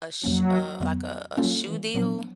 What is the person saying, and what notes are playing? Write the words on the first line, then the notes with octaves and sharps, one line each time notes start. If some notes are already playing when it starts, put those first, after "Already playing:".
a sh uh, like, a a shoe deal,
F2 C3 F3 F#3 A#3 C#4
F2 D3 F#3 B3
F#3 G3 A#3 C#4 F4 A4
E3
A#2 F3 F#3 B3 D4